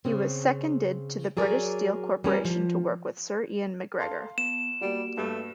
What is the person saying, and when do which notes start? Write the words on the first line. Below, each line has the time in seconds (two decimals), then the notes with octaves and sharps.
He was seconded to the British Steel Corporation to work with Sir Ian MacGregor.
0.05 C#3 C4
1.37 F#3 G#4 A#4 D5
2.24 G3 C#4 A#4
2.45 F3
4.00 A4 F5 A5 C6
4.38 B3 E7
4.82 G3 A#3 F#4
5.17 G2 A3 G4